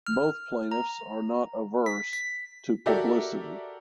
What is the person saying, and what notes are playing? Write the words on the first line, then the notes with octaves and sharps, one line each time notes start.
Both plaintiffs are not averse to publicity.
F6
A#5
B6
B6
F#4 G4 A4 A#4 D5 E5